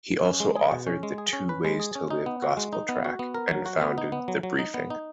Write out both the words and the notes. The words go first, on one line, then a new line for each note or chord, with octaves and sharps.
He also authored the "Two Ways To Live" gospel tract and founded "The Briefing".
C#4
G#3
G#4
B2
C#4
G#3
G#4
C#4
B4
G#3
G#4
C#4
D#4
B3
F#4
G#3
D#4
B3
F#4
B3
A#4
F#3
F#4
B3
D#4
B3
F#3
F#3
D#4
B3
D#4